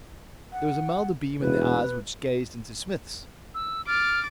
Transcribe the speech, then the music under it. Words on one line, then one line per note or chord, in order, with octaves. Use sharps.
There was a milder beam in the eyes which gazed into Psmith's.
F#5
E1 B4
E6
D6 F6 A6